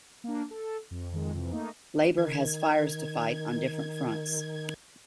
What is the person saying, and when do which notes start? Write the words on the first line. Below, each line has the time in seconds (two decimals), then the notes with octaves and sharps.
Labour has fires to fight on different fronts.
0.24 A#3 D4
0.51 A4
0.91 F2
1.11 F2 D#3 G#3
1.34 F2 C3 E3
1.52 A3 A#3 D#4
2.18 D#3 G#6